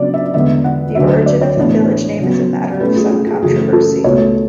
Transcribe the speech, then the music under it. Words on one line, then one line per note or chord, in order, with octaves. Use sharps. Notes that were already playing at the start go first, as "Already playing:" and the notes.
The origin of the village name is a matter of some controversy.
Already playing: C#3 F#3 B3 D4 D5
E5
E2 D3 G#3 B3 E5
F#5
D2 D3 F#3 E5
E5
D5
C#5
A2 E3 B3 D4
C#3 F#3 B3
B2 A3 C#4 B4
G#4
G#4
G#4
F#2 C#3 E3 A3 C#4 G#4
A4
C#2 B2 A3 C#5